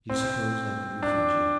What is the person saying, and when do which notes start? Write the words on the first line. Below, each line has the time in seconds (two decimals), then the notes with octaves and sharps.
"Do you suppose I could refuse you?"
0.10 C4
1.03 D4